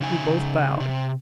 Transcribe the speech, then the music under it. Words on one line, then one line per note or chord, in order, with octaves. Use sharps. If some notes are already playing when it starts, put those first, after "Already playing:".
We both bowed.
C#3 D#4 G#5
C3